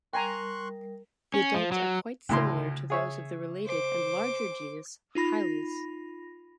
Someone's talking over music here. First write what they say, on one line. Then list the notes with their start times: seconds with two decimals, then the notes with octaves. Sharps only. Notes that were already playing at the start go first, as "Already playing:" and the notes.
The adults are quite similar to those of the related and larger genus "Hyles".
0.13 G3 A#4 G5 G#5 A#5 C6 C#6 F#6
1.34 C#4
1.54 F3
1.72 F#3
2.29 D2 A2 C#3 C6
2.90 G#4 C#5 E5
3.65 C5 D6
5.15 D#4 F4 B5 A#6